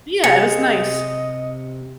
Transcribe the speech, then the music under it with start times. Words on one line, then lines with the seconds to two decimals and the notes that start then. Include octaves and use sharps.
Yeah, it was nice.
0.24 C3 G#4 D#5 C#7